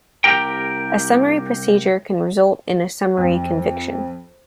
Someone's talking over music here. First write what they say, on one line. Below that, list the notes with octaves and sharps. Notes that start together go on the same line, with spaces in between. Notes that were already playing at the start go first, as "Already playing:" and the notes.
A summary procedure can result in a summary conviction.
C2 G2 G4 A#4 G5
F2